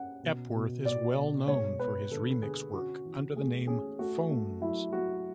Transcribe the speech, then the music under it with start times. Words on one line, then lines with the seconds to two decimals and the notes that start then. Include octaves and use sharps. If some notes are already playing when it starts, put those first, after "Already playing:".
Epworth is well known for his remix work under the name "Phones".
Already playing: C#4 F#5
0.23 B2
0.55 B2
0.85 B2 D5
1.17 B2
1.48 G#3 C#5
1.80 B3 B4
2.10 D3 A4
2.42 D3 G#4
2.73 C#4 F#4
3.05 E3
3.36 A3 G#4
3.67 C#4 G#4
3.99 A3 F#4
4.30 A3
4.61 F#3 E4
4.92 F#3 F#4